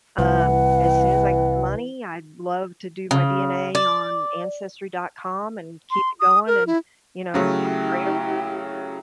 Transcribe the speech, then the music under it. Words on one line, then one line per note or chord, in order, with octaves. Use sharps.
Um, as soon as I get the money, I'd love to do my DNA on ancestry.com and keep it going and, you know, I pray every
C2 E3 F#5
C#3
D5
C6
D#6
A#4
E4
C#3 F#3 A3 E4 G4